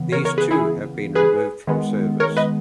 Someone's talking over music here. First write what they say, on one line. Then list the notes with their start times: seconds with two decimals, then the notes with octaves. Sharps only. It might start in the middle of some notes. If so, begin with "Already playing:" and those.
These too have been removed from service.
Already playing: C#3 E3 B3
0.12 A#4 C#5
0.25 A#4 C#5
0.38 G#4 B4
0.51 E4 G#4
1.15 G#4 B4
1.67 D#3 G#3 B3
2.20 A#4 C#5
2.37 B4 D#5